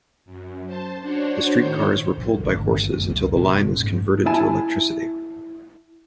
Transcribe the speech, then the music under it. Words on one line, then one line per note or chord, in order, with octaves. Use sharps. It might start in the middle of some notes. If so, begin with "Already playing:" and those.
The street cars were pulled by horses until the line was converted to electricity.
F#2
C5 A5
D4 F#4 C5 C#5
A2 D#3 C5 C#5 G6
A#1
G1 D3 D#3 A3
D1 F#2 B2 A3
C#2 F#2 A#2
F1 A#2 C#4
G2 G#3 A3
E4 G#5 A5